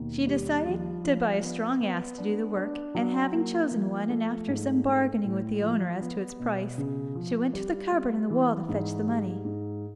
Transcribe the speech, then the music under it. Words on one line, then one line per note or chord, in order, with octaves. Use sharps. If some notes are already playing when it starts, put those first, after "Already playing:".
She decided to buy a strong ass to do the work, and having chosen one, and after some bargaining with the owner as to its price, she went to the cupboard in the wall to fetch the money.
Already playing: D#2 B2
G3
F3
F3
B3
B3
D4
D4
F#3
A#3
F3
A3
G#2
A3
A2
F3
B3
B2
C#3
F3
G3
G3
E3
G#2
G3
G#2